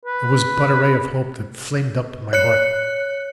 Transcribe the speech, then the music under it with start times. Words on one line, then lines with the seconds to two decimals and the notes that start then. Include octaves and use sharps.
It was but a ray of hope that flamed up in my heart.
0.06 B4
2.33 C#5 F#6 C#7